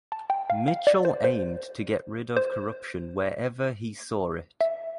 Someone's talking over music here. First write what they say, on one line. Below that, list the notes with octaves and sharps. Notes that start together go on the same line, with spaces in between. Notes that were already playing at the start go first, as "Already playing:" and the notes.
Mitchel aimed to get rid of corruption wherever he saw it.
A5
G5
F5
F5
D5
C5
C5
C5
E5